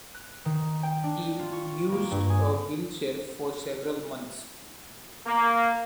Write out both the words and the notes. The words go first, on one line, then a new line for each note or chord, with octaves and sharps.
He used a wheelchair for several months.
F#6
D#3
G5
D4
F4
C#6
A#3
G2
G#4
A#3